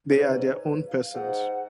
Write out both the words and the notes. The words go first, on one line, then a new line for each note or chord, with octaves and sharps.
They are their own persons.
G#2 C#5
B4
C#5
B4
F5
G#2 F#5